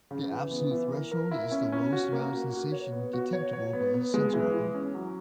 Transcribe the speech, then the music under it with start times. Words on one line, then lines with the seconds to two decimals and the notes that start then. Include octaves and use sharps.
The absolute threshold is the lowest amount of sensation detectable by a sense organ.
0.11 C#3
0.30 E3
0.51 B3
0.71 E3
0.92 A#4
1.12 A#4
1.31 E4
1.51 C#4
1.72 C#4
1.92 F#4
2.12 A#3
2.32 F#4
2.52 F#4
2.72 C#5
2.93 B3
3.13 F#4
3.33 C#5
3.53 C#5
3.73 B3
3.94 B3
4.14 G#3
4.34 E3
4.53 E3
4.74 C#4
4.94 F#3